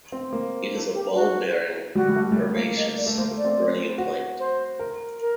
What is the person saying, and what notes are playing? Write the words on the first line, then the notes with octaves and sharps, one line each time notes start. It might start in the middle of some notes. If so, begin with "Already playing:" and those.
It is a bulb-bearing herbaceous perennial plant.
C4
A#3
A4
G4
F#4
G3 F#4
G3
A3
G3
A3
A#3
D#5
D5
A3
A#3 C5
A3
D5
C4
F#4
C5
A#4
A#4